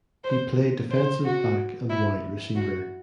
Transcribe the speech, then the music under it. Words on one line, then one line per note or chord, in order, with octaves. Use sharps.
He played defensive back and wide receiver.
C5
C5
F#4
E4
F#4